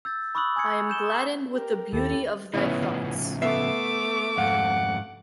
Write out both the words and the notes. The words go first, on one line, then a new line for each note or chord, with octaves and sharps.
I am gladdened with the beauty of thy thoughts.
E6 G6 A6
B5 C#6 D#6 E6 F#6 F#7
G#5 D#6 E6 G#6 C#7
G6 E7 G7
D#6
G4 A#4
D#2 E4 G4 A4
A2 C#3 F3 B3 C#4 E4
A3 B3 E5 D6 C7
F2 G#2 F5 F#5